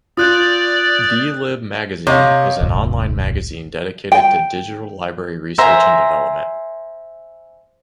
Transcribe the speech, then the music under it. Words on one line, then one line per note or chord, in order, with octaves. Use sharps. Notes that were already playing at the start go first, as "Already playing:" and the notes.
D-Lib Magazine is an on-line magazine dedicated to digital library research and development.
F4 D5 D#6 F#6 G6
C3 C#5 D#5 F5
D#1 C2 G#2
G5
C5 E5 G#5 A#5